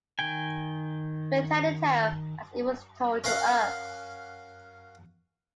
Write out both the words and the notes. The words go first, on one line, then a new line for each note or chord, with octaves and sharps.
We tell the tale as it was told to us.
D#3 G5 G#5
C#4 A#4 F5 F#5